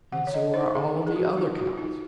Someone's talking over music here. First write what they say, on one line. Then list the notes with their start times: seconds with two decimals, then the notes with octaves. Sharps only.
And so are all the other cows.
0.12 D#3 F#5
0.27 C#5
0.34 D#5
0.54 D#4 C5
0.75 G#4
0.95 D#4
1.07 G#4
1.16 F#4
1.37 D#4 F4
1.58 F#4
1.78 D#4 F4